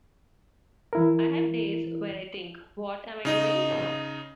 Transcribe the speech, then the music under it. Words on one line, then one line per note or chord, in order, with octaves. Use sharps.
I have days where I think, 'What am I doing?
E3 E4 A#4
C#3 D#4 D#5